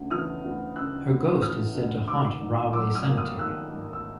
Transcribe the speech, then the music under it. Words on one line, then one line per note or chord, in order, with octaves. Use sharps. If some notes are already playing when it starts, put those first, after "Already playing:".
Her ghost is said to haunt Rahway Cemetery.
Already playing: D2 C#3
E3 D#6 F6
D2
C#3 E6 F#6
D2
E3 D#6 F6
D2
D#3 D6 E6
G#2
F#3 D6 E6
D#6 F6
A#3
D#6 F6
D#3 E6 F#6
G#2
E6